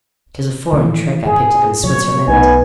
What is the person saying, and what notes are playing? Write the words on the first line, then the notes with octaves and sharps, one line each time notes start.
'Tis a foreign trick I picked up in Switzerland.
D#3 E3 A3
G#2 G#4
A#2 F3 F#3 C#5
B1 F3 A3 B3 D#4 B4 G#5